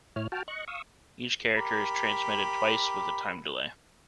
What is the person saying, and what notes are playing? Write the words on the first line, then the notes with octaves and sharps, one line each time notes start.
Each character is transmitted twice with a time delay.
A2 E4 C#5 F6
F#4 G5 A5 F6
D#5 C#6 F#6
F5 C#6 D#6 E6
G4 A#4 B5